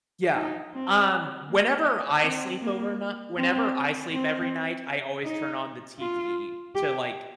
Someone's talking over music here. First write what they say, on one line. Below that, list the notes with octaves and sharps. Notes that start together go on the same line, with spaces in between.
Yeah. Um, whenever I sleep over ni whenever I sleep every night, I always turn on the TV to, like,
D#4
C4
A#3
C4
A#3
C4
C4
D#4
F4
G4